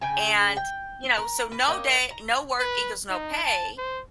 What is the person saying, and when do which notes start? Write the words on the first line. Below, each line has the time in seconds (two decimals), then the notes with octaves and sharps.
And, you know, so no day no work equals no pay,
0.01 C#3 G5 G#5
0.57 G5
1.17 A#4
1.52 B4
1.68 A#3 C#5 D#5 G5
2.10 A#5
2.60 B4
3.10 D#4
3.44 A5
3.78 C5